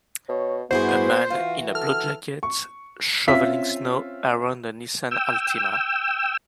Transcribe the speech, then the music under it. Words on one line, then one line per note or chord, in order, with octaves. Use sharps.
A man in a blue jacket shoveling snow around a Nissan Altima.
B2 C#5
G2 B3 E4 F#4 G#4 C5
E3 F4 F#4
A4 F6
C#6
C4 C#4 F4 E5 B6
G5 E6